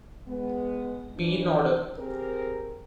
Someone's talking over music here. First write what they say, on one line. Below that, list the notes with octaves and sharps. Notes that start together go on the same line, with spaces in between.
Be in order.
G#3 B3
E3 D4
C4 G4 G#4 A#4